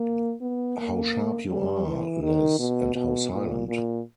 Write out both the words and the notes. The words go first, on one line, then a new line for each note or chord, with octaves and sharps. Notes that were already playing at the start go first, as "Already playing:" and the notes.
How sharp you are, Liz, and how silent!
Already playing: A#3
B3
A#3
G3
E3
D#3
B2
B2
A#2
A#2